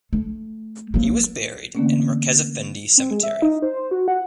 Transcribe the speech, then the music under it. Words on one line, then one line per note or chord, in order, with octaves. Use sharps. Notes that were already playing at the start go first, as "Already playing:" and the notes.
He was buried in Merkezefendi Cemetery.
A3
F#3 A#3
D3 E3 A3 A#3 C4 C#4
C4
G#3
E5
D#4
C5
C5
F#4
F#5